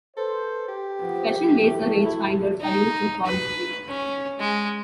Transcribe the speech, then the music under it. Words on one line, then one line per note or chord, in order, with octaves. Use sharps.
Special laser rangefinders are used in forestry.
A4 B4 C5
G4
F3 B3
E3 F#3 A3
E4
D#4
B4
C#4
G#3